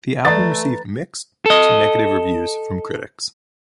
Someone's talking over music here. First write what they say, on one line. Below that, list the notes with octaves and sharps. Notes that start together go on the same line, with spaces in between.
The album received mixed to negative reviews from critics.
E3 A3 B4 D5 A#5 A6
A4 D#5